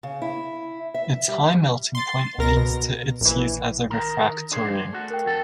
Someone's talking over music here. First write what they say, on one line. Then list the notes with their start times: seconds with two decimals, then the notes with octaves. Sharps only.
Its high melting point leads to its use as a refractory.
0.03 C#3
0.22 E4
0.94 E5
1.28 G3
1.95 C6 A6
2.38 C#2 A#4 A#6
2.57 B2
3.21 A#1 E3
3.90 D#3 A#4 A#5
4.52 D4 G#4 C5
4.93 A3 F#4
5.10 A#4 G5
5.26 F2 A4